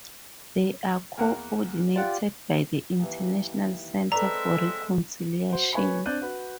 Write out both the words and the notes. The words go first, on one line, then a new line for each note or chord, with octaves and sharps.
They are co-ordinated by the International Centre for Reconciliation.
E2 A#3 F#5
F4 G4 D5 F#5
D#2 E3
G#3 C4 A4 B4 D5 E5 A#5
F#4 C5
B4 C#5 G#5 B5
C4 D4 D5 F#6 G6 D#7
F#4 B4